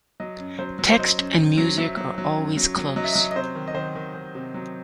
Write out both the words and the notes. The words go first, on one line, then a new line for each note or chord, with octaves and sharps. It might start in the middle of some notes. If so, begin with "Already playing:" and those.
Text and music are always close.
F#3 D#5
F#2
F#3 C5
F#3
C5
F#3 D#5
F#2
F#2
F#3
F#3 E5
F#3
F#3
F#2
F#3
F#3
F#3 D#5
E5
D#5
F#3
D#5
C3 C5
D#3
D#5
D#3 C5
D#3
D#3
C3
F#3